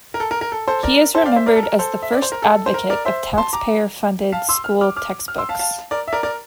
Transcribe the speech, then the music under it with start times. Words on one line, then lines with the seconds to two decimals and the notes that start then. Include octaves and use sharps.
He is remembered as the first advocate of taxpayer-funded school textbooks.
0.14 A#4
0.20 A4
0.31 A#4
0.41 A#4
0.52 A4
0.68 A4 C5
0.83 A#4 D5
1.14 A4 C5
1.22 G5
1.26 D5 F5
1.36 C5 E5
1.46 A#4 D5
1.56 A4
1.63 A#4
1.79 A4 C5
2.02 E5
2.12 D5
2.22 C5
2.32 A#4
2.42 A4
2.66 C5
2.74 A#4
2.90 A#4 D5
3.05 C5 E5
3.38 A5 C6
3.53 A#5 D6
4.32 F5 A5
4.49 C6 E6
4.64 F6
4.81 D6 F6
4.96 D6 F6
5.28 F6
5.38 C6 E6
5.49 F5 A5
5.59 F5 A5
5.91 A#4 D5
6.08 E5
6.13 A#4 D5
6.23 A#4 D5